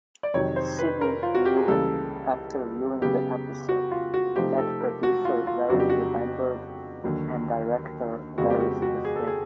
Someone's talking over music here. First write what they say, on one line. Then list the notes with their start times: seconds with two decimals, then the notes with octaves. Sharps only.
Sydney Newman, after viewing the episode, met producer Verity Lambert and director Waris Hussein.
0.23 D5
0.34 F2 C3 D#3 F#3 C#5
0.56 C5
0.79 B4
1.01 A#4
1.23 F4
1.35 F#4
1.45 G4
1.57 G#4
1.68 C#2 C#3 E3 G3 A#3 A4
3.02 C#3 F#3 B3 G4
3.69 F#4
3.91 F4
4.14 F#4
4.36 C3 F3 A3 C4 D#4 G4
4.58 A4
4.81 A#4
5.03 F#4
5.25 F4
5.47 F4
5.70 F2 C#3 F#3 B3 D4 F#4
5.80 G4
5.90 F#4
7.04 D#2 D3 F#3
8.38 F2 C#3 F3 G#3 B3 F#4
8.50 G4
8.60 F#4
8.82 F#4
9.05 G#4
9.16 A4
9.27 G#4